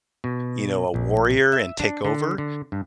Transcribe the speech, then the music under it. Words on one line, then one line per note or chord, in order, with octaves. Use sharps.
you know, a warrior and take over,
B2
A#1
E5
D4
D3
D3
G2